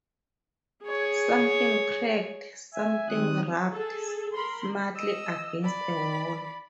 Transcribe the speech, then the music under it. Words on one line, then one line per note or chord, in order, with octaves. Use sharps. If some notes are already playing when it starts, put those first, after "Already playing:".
Something cracked, something rapped smartly against a wall.
G#4 C#5
E5 G#5
D#3 G3 C4 D#6 F#6
G#4 A4
A#4 B5 C6
D#5 E6
D5 B5